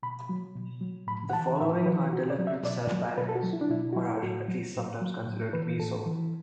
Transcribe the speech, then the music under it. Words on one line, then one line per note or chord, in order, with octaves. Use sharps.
The following are deliberate self-parodies or are at least sometimes considered to be so.
B2 B5
F#3
B2
F#3
A2 B5
F#5
E3 A5
A2 E5
E3 B4
B2 F#4
D5
F#3
E5
B2 D5
F#3
B2 B4
A4
F#4
F#3
E4
D4
B2 E4
F#4
F#3 E4
A4
A2 F#4
F#3
A2
F#3
A2
E3 B4
A2 A4
E3